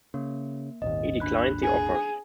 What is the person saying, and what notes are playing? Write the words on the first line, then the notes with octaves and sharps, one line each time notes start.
He declined the offers.
C#3 A#3
D#1 G#1 D#2 D#5
D4 B5 F#6
G#4